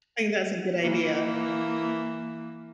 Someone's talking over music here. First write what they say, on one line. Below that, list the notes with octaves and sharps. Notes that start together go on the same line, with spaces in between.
I think that's a good idea.
E3 A#3